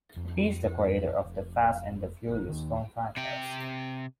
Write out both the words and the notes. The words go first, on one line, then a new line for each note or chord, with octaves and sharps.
He is the creator of "The Fast and the Furious" film franchise.
F2
F1
G1
D#2 D#3
C3 G5